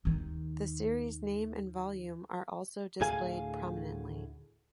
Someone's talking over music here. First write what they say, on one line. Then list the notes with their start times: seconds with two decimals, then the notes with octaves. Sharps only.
The series name and volume are also displayed prominently.
0.05 D#2 D#3
3.01 D2 A2 G#4 F5 G#5